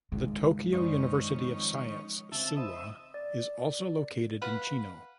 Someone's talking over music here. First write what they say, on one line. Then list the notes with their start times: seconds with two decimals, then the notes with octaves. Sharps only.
The Tokyo University of Science, Suwa is also located in Chino.
0.12 G#1 C#2 G#3
0.73 F#2 D#3 C#4 C5 D5
1.29 F3 C4
2.32 C#3 C4 E5 A5
2.57 C5 D#5 E5 B5
3.14 D5
4.42 B4 F5 F#5